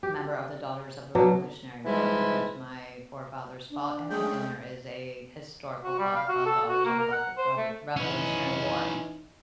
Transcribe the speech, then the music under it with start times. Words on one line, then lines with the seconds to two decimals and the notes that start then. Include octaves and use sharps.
member of the Daughters of the Revolutionary War because my forefathers fought in it and there is a historical club called Daughters of the lever lever Revolutionary War.
0.03 G4
1.15 B2 F#3 D4
1.85 G#2 E3 F3 G3 G#3 E4
3.70 D4
4.10 G#3 A3 C#4 G#4 G5
5.84 F#4
5.99 G3
6.16 F5
6.28 F#4
6.46 A4
6.69 F#4
6.86 A#3
7.00 A#4
7.12 F#5
7.38 C5
7.57 A3
7.97 E3 C#4 D#4 B4